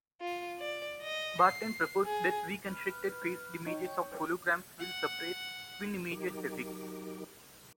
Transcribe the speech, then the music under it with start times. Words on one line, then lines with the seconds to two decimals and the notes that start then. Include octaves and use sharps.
Barton proposed that reconstructed phased images of holograms will suppress twin images effects.
0.21 F4
0.60 D5
1.02 D#5
1.42 C7
2.05 G#4
2.67 B4 F6
3.66 D#4 C#5 G5
4.80 F#5
6.11 F#3 D#4 G4 A#4 D6